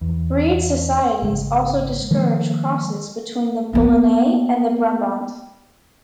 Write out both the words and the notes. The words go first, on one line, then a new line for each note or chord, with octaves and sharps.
Breed societies also discouraged crosses between the Boulonnais and the Brabant.
E2
G#1 C#3 G#3
D#3 F3 G#3 A#3
A#3 B3